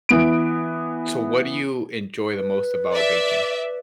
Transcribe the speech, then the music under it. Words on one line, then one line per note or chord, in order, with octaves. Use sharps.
So what do you enjoy the most about baking?
E3 B3 D7
B4
D5 E5